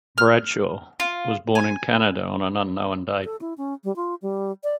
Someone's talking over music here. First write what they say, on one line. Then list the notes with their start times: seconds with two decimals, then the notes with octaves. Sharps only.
Bradshaw was born in Canada on an unknown date.
0.18 F6
1.00 F4
1.55 G#5
3.24 A4
3.41 E4
3.58 C#4
3.84 G3
3.96 F4
4.22 G3
4.64 D5